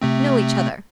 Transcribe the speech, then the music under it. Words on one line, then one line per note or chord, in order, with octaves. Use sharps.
Know each other.'
C3 A3 C4